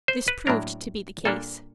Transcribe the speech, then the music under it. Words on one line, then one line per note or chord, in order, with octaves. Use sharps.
This proved to be the case.
C5
B4
A2 F#3 A#3 D4 A#4
A#2 G3 A#3 D4 A4